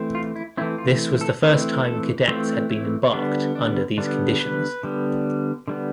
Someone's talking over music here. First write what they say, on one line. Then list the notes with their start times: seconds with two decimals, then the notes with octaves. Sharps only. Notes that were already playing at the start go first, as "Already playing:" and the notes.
This was the first time cadets had been embarked under these conditions.
Already playing: E3 A3 C4
0.15 F4
0.36 E4
0.57 E3 A3 C4 E4
0.78 F4
1.21 A4
1.42 E3 A3 C4 B4
1.84 A4
2.28 E3 A3 C4 F4
2.70 E4
3.13 D3 G3 B3 D4
3.55 D4
3.98 D3 G3 B3 D4
4.40 B4
4.83 D3 G3 B3
5.68 D3 G3 B3